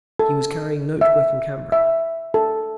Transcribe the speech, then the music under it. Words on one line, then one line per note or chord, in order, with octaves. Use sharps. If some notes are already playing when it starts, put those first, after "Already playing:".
He was carrying note-book and camera.
A4
E5
E5
A4